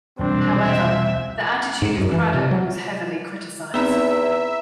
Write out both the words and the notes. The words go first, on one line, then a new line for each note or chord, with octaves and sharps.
However, the attitude of Cradock was heavily criticised.
E1 C2 C4 D4
E5
G#2
F#2
E3
C3
F#3
E2 B3 C4 D#4 E5 A#5 B5 E6